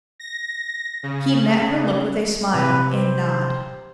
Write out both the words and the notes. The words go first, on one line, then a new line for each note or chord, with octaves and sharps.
He met her look with a smile and nod.
A#6
C#3
C3 B4
C5